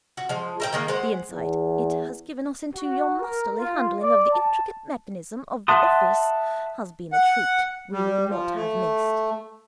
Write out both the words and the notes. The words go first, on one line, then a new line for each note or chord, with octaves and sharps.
The insight it has given us into your masterly handling of the intricate mechanism of the office has been a treat we would not have missed.
F#4
F3 G#3
A#4 E5 G5
D#3 G#3 A#3
G#3 C5 F#5
E2
F#4
A#4
F4
D5
A5
E5 F#5 A5 C6 D#6
F#5
G3
F3
A3